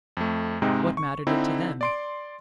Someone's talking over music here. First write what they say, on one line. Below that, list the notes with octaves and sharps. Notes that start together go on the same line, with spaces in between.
What mattered it to them?
F2 A3
G#2 C3 G#3 C4 D#4
C#6
D3 C4 D#4 E4
D5 C6 D7